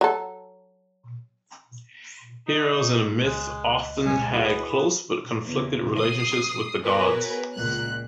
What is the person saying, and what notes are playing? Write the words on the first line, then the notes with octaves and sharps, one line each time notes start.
Heroes in myth often had close but conflicted relationships with the gods.
F#3 A4
D#4
C#2 G#3 D#5 F#6
G#3 C#4 C#5
B3 E4 F#4 G#4 B5
E2 C#3
D#6 C7
B3 F#4 G#4 A#4 B4 C#5
C#2 A#2 F#6